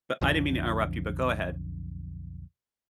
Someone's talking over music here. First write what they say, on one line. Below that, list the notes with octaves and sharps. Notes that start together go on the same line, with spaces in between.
but I didn't mean to interrupt you but go ahead.
B1 F2 D3